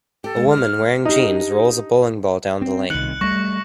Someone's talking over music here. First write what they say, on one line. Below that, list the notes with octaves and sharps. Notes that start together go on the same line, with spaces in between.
A woman, wearing jeans, rolls a bowling ball down the lane.
G4 A4
G#3
F6
D4 D#4 G4
C4
C2 D#3 F#6 C#7 F#7
G3 A3 C#6 A#6